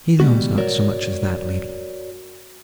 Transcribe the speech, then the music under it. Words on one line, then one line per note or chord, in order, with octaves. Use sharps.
'He knows not so much as that, lady.'
G3 G#3 B3 F#4
F#4 A#4 C#5 D5